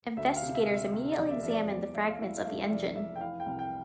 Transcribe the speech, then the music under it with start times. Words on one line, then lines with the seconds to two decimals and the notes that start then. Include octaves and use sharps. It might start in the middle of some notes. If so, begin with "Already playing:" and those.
Investigators immediately examined the fragments of the engine.
0.17 D2 E5
0.36 F5
0.42 C3
0.55 E5
0.68 C3
0.74 E5
0.93 C3 E5
1.12 D5
1.18 E1
1.26 D5
1.31 E5
1.43 F3 E5
1.50 D5
1.69 E2 D5
1.94 A3 E5
2.09 F5
2.19 E3 E5
2.37 F5
2.45 A3 E5
2.63 E5
2.70 F1 D5
2.95 F1 E5
3.16 G5
3.20 E3 F5
3.40 G5
3.46 C2
3.59 G5